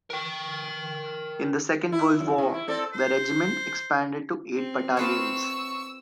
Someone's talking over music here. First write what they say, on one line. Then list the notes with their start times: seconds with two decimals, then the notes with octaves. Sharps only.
In the Second World War, the regiment expanded to eight battalions.
0.10 A#4 G5
1.92 E4
2.20 F#2
2.38 C3
2.54 E4
2.68 C4 A4 D5
2.93 C5
4.54 C4
4.97 B3 F4 A4 C#6 E6